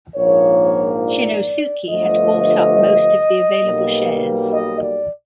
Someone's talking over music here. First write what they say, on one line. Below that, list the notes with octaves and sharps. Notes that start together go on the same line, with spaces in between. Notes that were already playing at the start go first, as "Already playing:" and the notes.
Shinnosuke had bought up most of the available shares.
A#1 G#2 F3 A#3 C#5
D5
G1 G2 D3 F3 A3 D#5
B1 B2 G3 A#3
D#5
D5